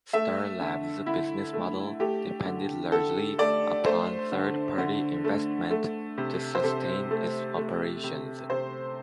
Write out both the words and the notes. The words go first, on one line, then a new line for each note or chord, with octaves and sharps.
Starlab's business model depended largely upon third-party investment to sustain its operations.
A3 E5
D3
D3 E4
A3
A3 G4
D3
D3 A4
A3 D5
A3 C5
D3
D3
A3
A3
C3
C5
C3 A4
A3
A3
C3
C3 C5